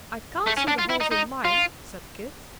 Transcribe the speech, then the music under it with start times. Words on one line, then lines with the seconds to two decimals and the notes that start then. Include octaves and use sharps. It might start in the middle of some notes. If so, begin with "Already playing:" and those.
"I can't see the holes in mine," said Kit.
0.46 A3
0.57 C#4
0.68 D4
0.79 F4
0.90 E4
1.01 D#4
1.12 D#4
1.45 F4